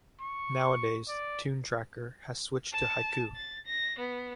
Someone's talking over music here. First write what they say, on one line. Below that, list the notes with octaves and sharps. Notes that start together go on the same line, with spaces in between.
Nowadays TuneTracker has switched to Haiku.
C#6
D5
A5
A6
A#6
B3